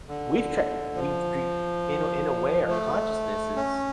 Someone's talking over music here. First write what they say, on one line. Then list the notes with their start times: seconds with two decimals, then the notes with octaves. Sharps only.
we’ve tra we’ve we’ve in a In a way our consciousness is
0.08 D3
0.95 F3
2.69 A3
3.56 C#4